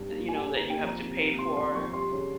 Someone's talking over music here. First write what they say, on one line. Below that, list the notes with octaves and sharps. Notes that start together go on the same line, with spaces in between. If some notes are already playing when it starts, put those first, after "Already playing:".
that, you know that you have to pay for.
Already playing: G2 G3
A#3
G3 G#5
C#3 G#5
A#5
A#3 G5
F3 A#5
C3
A#3
C3 C6
F2 C6
F3 C#6
G3 C6
C#3